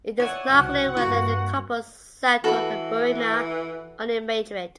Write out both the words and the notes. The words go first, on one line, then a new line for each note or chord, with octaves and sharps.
It is not clear whether the couple settled in Burriana or in Madrid.
C#5 D5 E5 F#5 G#5
F#1 C2 C4 F#4
G2 A#3 F#4 B4 F#6
E3 F#4 A4 B5